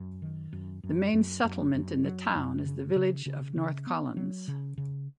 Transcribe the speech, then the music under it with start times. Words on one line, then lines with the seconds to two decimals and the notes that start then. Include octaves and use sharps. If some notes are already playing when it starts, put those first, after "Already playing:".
The main settlement in the town is the village of North Collins.
Already playing: F#2
0.22 D#3
0.53 F#2
0.84 F#2
1.13 F#2
1.44 F#2
1.74 F#2
2.05 F#3
2.36 F#2
2.66 C#3
2.96 C#3
3.26 C#3
3.56 C#3
3.87 B3
4.17 F#3
4.48 C#3
4.78 C#3